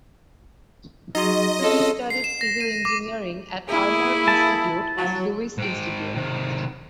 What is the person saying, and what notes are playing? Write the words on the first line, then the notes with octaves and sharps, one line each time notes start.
He studied civil engineering at Armour Institute and Lewis Institute.
F#3 D#4 F#4 G#4 D#5 C6
C4 C#4 F4 G#4 A4 C#5
C7
E7
A#6
D#7
D6
A#3 E4 G#4
A5
F#3
G#2 G5
C3 D#3